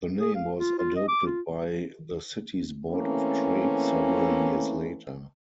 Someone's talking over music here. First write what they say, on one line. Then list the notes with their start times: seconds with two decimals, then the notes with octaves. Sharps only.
The name was adopted by the city's Board of Trade several years later.
0.19 G#4
0.35 F5
0.59 F4
0.78 F4
0.96 D#5
1.08 D6
1.26 F4
2.90 E3 A3 A#3 C4 C#4